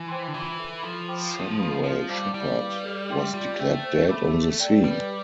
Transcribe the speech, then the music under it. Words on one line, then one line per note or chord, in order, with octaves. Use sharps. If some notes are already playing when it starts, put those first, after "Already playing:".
Samuel Shepherd was declared dead on the scene.
Already playing: E3
C5 G5 C6
D3
E3 F4
A4 E5
F3 A4
C5 G5 B5 D6
F4
B4 F5 B5
F3 F4
G3 C5 F5 A5
G3 E4
B4 F5
A4
E5 G5 C6
G3 F4
A3 C5 G5
C5
E5 B5 D6
G4
D5 G5
G3 B4